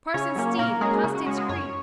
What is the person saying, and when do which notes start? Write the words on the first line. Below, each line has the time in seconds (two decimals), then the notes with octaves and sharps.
Parson Steve, apostates' creed!
0.14 C#3 C#4 C#5
0.36 F#3 A#3 C#4
0.58 A#2 A#3 A#4
0.81 F#3 G#3 C#4 G#4
1.04 C#3 F#4
1.15 F#4
1.26 G#3 C#4 F#4
1.37 G#3 G#4
1.48 F#2 C#4 C#5